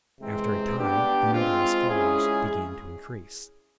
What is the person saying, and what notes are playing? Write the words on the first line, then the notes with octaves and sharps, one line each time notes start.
After a time the number of his followers began to increase.
C3 E3 G#3 C4
G3 B3 D4 G4
G#3 C4 F4
G#3 C#4 E4 G#4